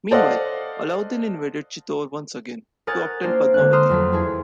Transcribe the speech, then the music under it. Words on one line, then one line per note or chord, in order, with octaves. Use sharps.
Meanwhile, Alauddin invaded Chittor once again, to obtain Padmavati.
A4 C5 D5 D#5 F5 F#5
A#4 C#5 F#5 G#5 D#6 A6
A#3 C#4 D4 F4 A#4 C5
D3 G#3 F#6
A#5 C6 D#6 F6 G6 E7
F2 F#3 A3
E2 A3 G#4